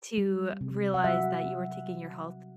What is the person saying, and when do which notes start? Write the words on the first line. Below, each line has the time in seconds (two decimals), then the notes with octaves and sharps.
to realize that you were taking your health
0.18 G3
0.61 C3
0.94 F#5
1.04 F#3 E5